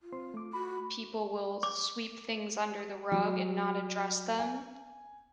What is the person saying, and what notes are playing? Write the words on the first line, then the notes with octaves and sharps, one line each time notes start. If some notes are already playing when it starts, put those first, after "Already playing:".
people will sweep things under the rug and not address them,
F4
C4 C5 C6
A3 D6
F#4 B5
D6
F#3
G#5